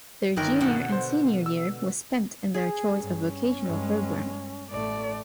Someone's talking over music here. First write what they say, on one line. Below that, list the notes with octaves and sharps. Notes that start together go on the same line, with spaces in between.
Their Junior and Senior year was spent in their choice of vocational program.
G1 D#3 A#4 B4 G5
B2 D3
C5
E6
G#4
G2 C#4
G2 G#3
A1 A3 D5